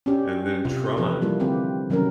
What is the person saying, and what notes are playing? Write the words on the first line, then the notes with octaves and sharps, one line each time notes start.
and then Tron,
C#4 D4 G4
C3 F4
E3 F3 A4 B4
F3 G3 A#3 E4 F4
D3 C4 G4 B4
C3 D#3 F#3 A#3 C#4 A#4